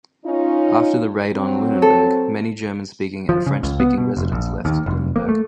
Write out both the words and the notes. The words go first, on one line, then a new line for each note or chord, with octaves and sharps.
After the Raid on Lunenburg, many German speaking and French speaking residents left Lunenburg.
C#4 D#4 F4
F#3 C4
A4
F3
C#3
C#2
B3
B2
F1
A#1
D#2
F1
A#3
A3